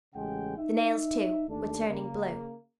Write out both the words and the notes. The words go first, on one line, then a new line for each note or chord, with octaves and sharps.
The nails, too, were turning blue.
A1 C#3 G#3 F#5 G5
D#4 E5
D#2 A3 D4
C#3 A#3